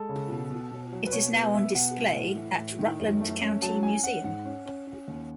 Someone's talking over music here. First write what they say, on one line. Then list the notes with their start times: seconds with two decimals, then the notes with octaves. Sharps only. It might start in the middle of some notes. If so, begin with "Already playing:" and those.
It is now on display at Rutland County Museum.
Already playing: G#3 A4
0.09 C#3
0.30 B2
0.50 B2
0.71 B2
0.93 F#3
1.07 B4
1.13 B2 C#5
1.34 B3 B4
1.54 B3 E5
1.75 B2 F#5
1.96 A2
2.16 A2
2.37 E3
2.58 A2
2.79 D#3
3.00 F#2
3.20 A3
3.41 C#4
3.62 F#3 A5
3.83 C#4 G#5
4.03 C#4 F#5
4.24 G#2 F#5
4.45 C#4
4.66 C#4
4.87 C#4
5.08 D#2